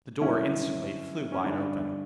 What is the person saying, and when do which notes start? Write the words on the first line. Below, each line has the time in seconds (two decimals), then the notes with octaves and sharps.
The door instantly flew wide open.
0.21 F#2 D3 G3 C#4 E4
1.32 C#4
1.44 G2 D3 G3 C#4 D4